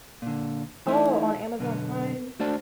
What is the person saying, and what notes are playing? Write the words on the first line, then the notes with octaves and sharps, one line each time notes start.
Oh, on Amazon Prime?
A#2 D3
E3 A3 D#4 E4
F#2 B2 D3 B3
A3 D4 F#4 C5 D5 A5